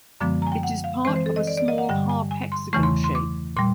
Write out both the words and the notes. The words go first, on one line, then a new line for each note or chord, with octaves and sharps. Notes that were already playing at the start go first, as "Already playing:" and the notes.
It is part of a small "half hexagon" shape.
F#2 D3 F3 G#3 B3 D6
A#5
G#5
G5
F#5
F5
E3 G#3 C4 C5
C5
A4
D#5
D5
D5
D#5
F#5
G2 D3 G3 G5
G#5
G#5
C6
E2 C#3 E3 A3 C#6
C6
C6
D6
A#2 G3 C6